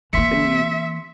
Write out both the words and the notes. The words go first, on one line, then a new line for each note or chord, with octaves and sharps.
And you
E3 A#3 E5 C6 B6 C#7